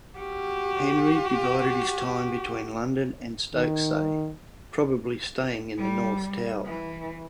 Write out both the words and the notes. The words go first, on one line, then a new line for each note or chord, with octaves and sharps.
Henry divided his time between London and Stokesay, probably staying in the north tower.
F#4 G4
D#3
G3
E3